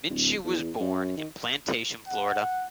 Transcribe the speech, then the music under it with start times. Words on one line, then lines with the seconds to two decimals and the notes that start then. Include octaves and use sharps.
Minshew was born in Plantation, Florida.
0.10 D1
0.44 E2
0.80 F#2
1.17 D#3
2.08 F#5